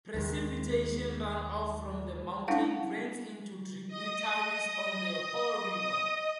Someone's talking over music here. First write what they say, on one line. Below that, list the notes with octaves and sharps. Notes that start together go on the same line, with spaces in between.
Precipitation runoff from the mountain drains into tributaries of the Hoh River.
D#2 D#3 G#3
C#4 D4 E4 F5 F#5
D#5 D#6